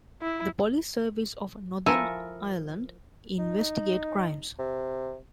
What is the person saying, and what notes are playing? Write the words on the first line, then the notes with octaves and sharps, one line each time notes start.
The Police Service of Northern Ireland investigate crimes.
E4
F3 E4 A4 A#4 G#5
D#4
C3